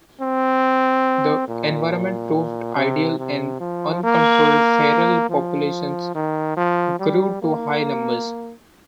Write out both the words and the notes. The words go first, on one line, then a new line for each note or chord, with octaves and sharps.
The environment proved ideal and the uncontrolled feral populations grew to high numbers.
C4
A#2
C3
C3
F3
A#3
F3
D#3
F3
G3
A#3